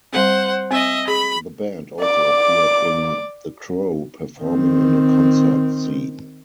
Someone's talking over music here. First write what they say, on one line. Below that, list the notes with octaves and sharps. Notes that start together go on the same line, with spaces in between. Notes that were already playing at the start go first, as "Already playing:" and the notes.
The band also appeared in "The Crow" performing in a concert scene.
G3 C4 C5 F#5
C4 D#5 E5
G#4 B5
D5 D6
D#3 C4